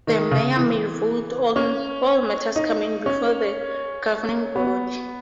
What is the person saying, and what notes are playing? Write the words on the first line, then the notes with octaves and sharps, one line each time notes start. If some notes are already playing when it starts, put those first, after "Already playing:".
The mayor may vote on all matters coming before the governing body.
D#3
C#3
E3
C#4
D#4
C#4
B3